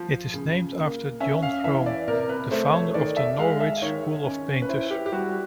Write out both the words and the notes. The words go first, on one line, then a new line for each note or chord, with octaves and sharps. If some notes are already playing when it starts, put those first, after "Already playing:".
It is named after John Crome, the founder of the Norwich school of painters.
Already playing: F3
C#3
A#3
C#4 E5
F5
E3 E5
D5
C3 A#4
B4
A3 C5
C#5
D#3 D5
E5
G#3 F5
E5
D#3 C#5
C#4
B4
E4 C5
G4
G4
G3 F#4